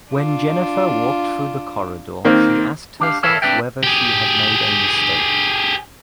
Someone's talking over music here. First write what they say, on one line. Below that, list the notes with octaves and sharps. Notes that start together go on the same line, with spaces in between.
When Jennifer walked through the corridor she asked herself whether she had made a mistake.
D4 F4
D#3 A#3 C4
D4 G4 F5
A4 A#4 C#5 E5 F5 A5
C4 D4 B4 D5 E5 G5
G4 G#4